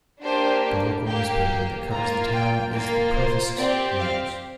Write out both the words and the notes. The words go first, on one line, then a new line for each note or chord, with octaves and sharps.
The local newspaper that covers the town is "The Provost News".
A#3 D4 G4 C5
A#3 G4 G5
G5
A#3 F4 A#5
G5
A#3 F4
C5
C4 G4 D5
F5